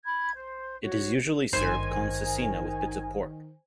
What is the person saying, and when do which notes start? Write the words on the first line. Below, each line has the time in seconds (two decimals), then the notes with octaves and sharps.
It is usually served con cecina with bits of pork.
0.05 B5 G#6
0.34 C5
0.83 F#4 C#5
1.53 G#1 G2 D#3 C5 G#5